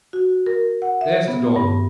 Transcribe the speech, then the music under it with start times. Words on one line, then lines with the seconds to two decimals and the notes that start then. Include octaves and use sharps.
"There's the dawn."
0.13 F#4
0.46 A#4
0.82 F#5
1.01 E5
1.28 B3
1.56 G2